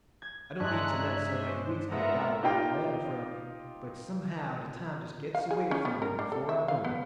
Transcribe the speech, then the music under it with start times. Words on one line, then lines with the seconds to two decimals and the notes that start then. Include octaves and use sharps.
I don't mean to let so many weeks go by without a letter from me, but somehow the time just gets away from me before I know it.
0.22 G#6
0.60 G2 G#3 D4 C#5 E5 G#5 A#5 F#6
1.28 C5 B6
1.91 G#3 B3 F4 A4 A#4 E5 F#5 A#5
2.43 D#4 F4 G4 D#5 F5 G5
5.35 F5
5.51 G#4
5.71 C#4
5.85 B3
6.02 A#4
6.19 D4
6.32 A4
6.49 E5
6.68 F5
6.84 B3